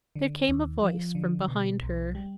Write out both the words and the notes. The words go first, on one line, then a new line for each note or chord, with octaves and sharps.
There came a voice from behind her.
D3
D#2
F3
D3
B2
B1
G3